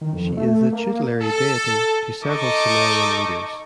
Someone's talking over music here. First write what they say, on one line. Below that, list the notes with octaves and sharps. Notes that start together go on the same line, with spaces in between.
She is the tutelary deity to several Sumerian leaders.
D#3
F2
A3
A#3
A4
D#4 A4 D#5 C#6 D6